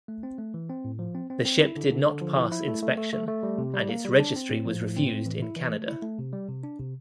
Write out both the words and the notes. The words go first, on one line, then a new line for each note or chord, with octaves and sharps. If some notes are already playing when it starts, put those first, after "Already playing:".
The ship did not pass inspection and its registry was refused in Canada.
A3
C4
A3
E3
C4
A2
F3
C4
C4
C4
E4
D3
D3
D3
F3
E4
E4
A3
A3
A3
A3
A3
G3
C3
G3
A#3
G3
D4
C4
A2
F3
A2
C4
A2
E3
E4
E3
A3
E4
A3
C3
G3
C3
D4
C3